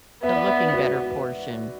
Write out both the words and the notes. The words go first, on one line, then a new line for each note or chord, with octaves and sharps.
The looking-better portion
B3 B4 E5
D5
B4 E5
F#4 B4